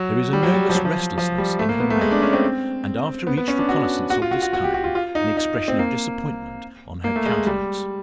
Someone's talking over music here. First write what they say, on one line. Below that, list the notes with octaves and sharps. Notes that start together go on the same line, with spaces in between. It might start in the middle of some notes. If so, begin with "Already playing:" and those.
There is a nervous restlessness in her manner, and after each reconnaissance of this kind, an expression of disappointment on her countenance.
Already playing: F#3
G3
F#3
G3
F3
F#3
F3
F3
G3
A3
A#3
B3
A3
G#3
D4
C#4
C4
B3
B3
C#4
D4
F#4
F#4
F4
F#4
F#4
F#4
G4
F#4
F4
F4
D#4
D#4
C4
A#3
A#3
A3
G#3
G3